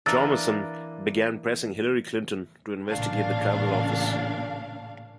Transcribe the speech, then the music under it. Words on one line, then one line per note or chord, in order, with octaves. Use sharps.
Thomason began pressing Hillary Clinton to investigate the travel office.
E3 A#3 D4 A#4 E6 A6
A1 A#2 C#3 D4 F5